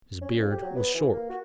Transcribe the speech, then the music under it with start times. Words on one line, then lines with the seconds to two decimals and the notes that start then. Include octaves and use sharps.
His beard was short.
0.21 C#4
0.39 F2
0.51 G4
0.63 F#3
0.76 B3
0.95 E3
1.13 A#3
1.30 F#4